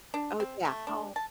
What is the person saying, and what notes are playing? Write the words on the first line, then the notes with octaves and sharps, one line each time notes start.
Oh yeah, oh
D4
C4
A3
D4
A5